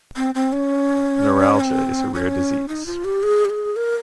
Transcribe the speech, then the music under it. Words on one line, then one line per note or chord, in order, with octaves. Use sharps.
Neuralgia is a rare disease.
C4
C4
C#4
C4
C#4
D#4
F4
G4
G#4
G4
G#4
A#4